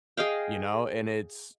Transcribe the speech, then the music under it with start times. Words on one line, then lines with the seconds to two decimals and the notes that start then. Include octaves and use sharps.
you know? And it's
0.17 G#4 D#5 F5 G5